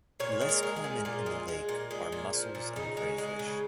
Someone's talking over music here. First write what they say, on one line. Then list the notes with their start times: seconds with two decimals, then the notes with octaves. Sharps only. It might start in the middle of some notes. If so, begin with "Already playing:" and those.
Less common in the lake are mussels and crayfish.
0.20 A#2 C#5
0.41 G#3
0.49 A#4
0.63 G#3
0.76 G#4
0.84 A#2
1.05 A#2 F4
1.26 G#3
1.48 G#3
1.69 A#2
1.91 G#3
2.12 A#2
2.33 F3
2.55 A#2
2.76 C#3 D#4
2.97 G#3
3.18 G#3
3.39 C#3